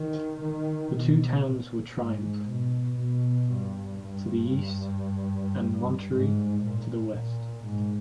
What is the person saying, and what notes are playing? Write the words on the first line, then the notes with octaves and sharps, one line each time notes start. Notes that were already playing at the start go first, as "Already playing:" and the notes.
The two towns were Triumph, to the east, and Monterey to the west.
Already playing: D#3
D#3
B2
A#2
G#2
B2
B2
G2
G2
G#2
A#2
A#2
G#2